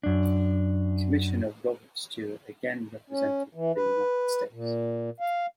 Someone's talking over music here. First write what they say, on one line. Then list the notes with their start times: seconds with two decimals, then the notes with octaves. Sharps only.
Commissioner Robert Stuart again represented the United States.
0.03 F#2 D4
3.10 C#4
3.55 E3
3.75 B4
4.53 A#2
5.20 F5